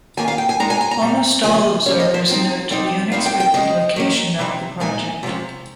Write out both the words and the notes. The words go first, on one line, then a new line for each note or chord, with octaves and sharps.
Almost all observers note the unexpected location of the project.
D#3 A#3 C#4 G#5
F5
G5
G#5
A#2 G#3 D#4 A#5
G#5
G#5
A#5
A#2 G3 C#4
C#3 F3 A#3 G#5
G#5
C#3 G3 C#4 C#5
D#5
C5
F3 G#3 C4 D#4
C3 G3 C4 D#4
C3 G3 C4 D#4 F5
G5
G5
C#3 G#3 C#4 D#5
D#3 A#3 C#4
C3 G3 C4 D#4
A#2 G#3 D#4 G#5
C3 F3 G#3 C#4